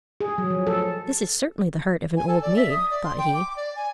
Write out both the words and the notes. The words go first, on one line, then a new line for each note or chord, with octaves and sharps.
"This is certainly the heart of an old maid," thought he.
G#4
F#3
F3
A4
G#5
A4
D5
E5
D#6
D5
C6
G5
D6
D5
G#5